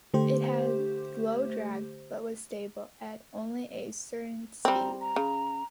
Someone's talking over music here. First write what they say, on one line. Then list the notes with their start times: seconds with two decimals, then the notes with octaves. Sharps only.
It had low drag, but was stable at only a certain speed.
0.14 D3 A3 G4 C5
4.65 G3 C4 A#5
5.01 A#5
5.16 C#3